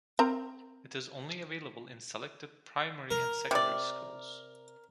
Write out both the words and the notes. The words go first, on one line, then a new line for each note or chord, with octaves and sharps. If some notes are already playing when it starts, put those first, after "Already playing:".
It is only available in selected primary and secondary schools.
C4 A#4 A#5
A#4
C3 D5